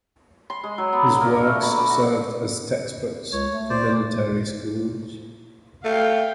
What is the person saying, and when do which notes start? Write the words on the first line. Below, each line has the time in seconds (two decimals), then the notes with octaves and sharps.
His works served as textbooks for military schools.
0.50 C6
0.64 G#3
0.78 F#3
0.93 B3
1.07 D3
1.21 A#3
1.33 A#4
1.47 A3
1.63 B5
1.77 D6
1.90 F#4
3.32 C#2 C#5
3.50 A3
3.70 C5 D5
3.91 A#2
5.85 A3 F5 G5